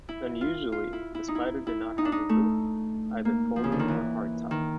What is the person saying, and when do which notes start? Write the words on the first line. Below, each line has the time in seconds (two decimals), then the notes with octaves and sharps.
Unusually, the Spider did not have a roof, either folding or hard-top.
0.09 E4
0.41 F4
0.72 F4
0.93 E4
1.15 E4
1.28 D#4
1.35 E4
1.67 E4
1.98 D#4
2.05 D4
2.12 D#4
2.29 A3
3.25 A#3
3.56 F3
3.64 C#3
3.72 D3
3.79 D#3
3.88 E3
4.51 D#3